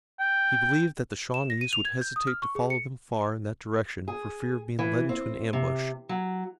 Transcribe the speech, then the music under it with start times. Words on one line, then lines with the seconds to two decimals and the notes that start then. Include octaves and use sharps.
He believed that the Shawnees would hesitate to follow them far in that direction for fear of being led into an ambush.
0.20 G5
1.34 E7
1.50 A#6
1.61 D#7
1.73 F7
1.85 G#6
2.01 G6
2.16 D#6
2.27 F6
2.42 C#6
2.55 G#4
2.70 C#7
4.08 G#4
4.79 E3
5.09 C4
5.53 C3
6.09 F#3